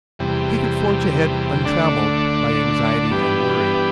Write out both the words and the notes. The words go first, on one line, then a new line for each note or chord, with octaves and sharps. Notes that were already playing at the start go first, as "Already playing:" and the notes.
He could forge ahead untrammelled by anxiety and worry.
E2 C3 G3
D2 D3 A3 D4
G2 E3 B3 D4 G4